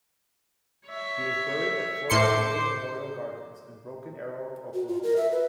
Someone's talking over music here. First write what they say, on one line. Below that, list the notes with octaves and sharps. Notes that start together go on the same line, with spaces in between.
He is buried at Floral Haven Memorial Gardens in Broken Arrow, Oklahoma.
C#5 E5
A2 C5 C6 D6 C#7
F#4
F4
A#4
E5
B4